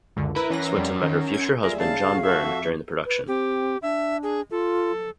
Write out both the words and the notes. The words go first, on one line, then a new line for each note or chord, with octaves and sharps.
Swinton met her future husband John Byrne during the production.
C#2 F#2 D3
E4 A#4 B4
E3 C#4 A#4 B4 A#6
F2 G3
D#3
G6 G#6
D#2 G3 F4 G#4 A#4 E5
C#3 F5 A5
A#2 F#4
F#4 A4 E5
F2
B4
C4 G4
D4 E5
G#4
F4 A4